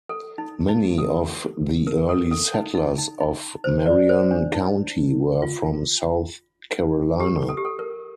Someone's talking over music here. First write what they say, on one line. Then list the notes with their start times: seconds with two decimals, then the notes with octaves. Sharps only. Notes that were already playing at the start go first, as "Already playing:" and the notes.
Many of the early settlers of Marion County were from South Carolina.
0.09 A4
0.38 D#4
0.69 D#4
0.98 A4
1.87 A#4
2.09 A4
2.31 A4
2.54 D#4
2.75 D#4
2.98 D#4
3.20 D#4
3.64 C5
3.86 D5
4.09 C5
4.31 D4
4.54 D#4
5.42 F4
7.20 G4
7.49 A4
7.57 G4
7.65 A4
7.79 A#4